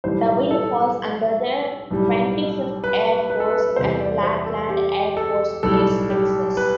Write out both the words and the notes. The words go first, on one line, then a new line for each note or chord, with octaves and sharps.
The wing falls under the Twenty-Fifth Air Force at Lackland Air Force Base, Texas.
B1 A2 E3 G3 C5
A4
B1 A2 G3
B4
B4
A4
B4
E2 C3 G3 C5
D5
C5
A4
G4
A4
B1 A2 G3 A4
G4
B4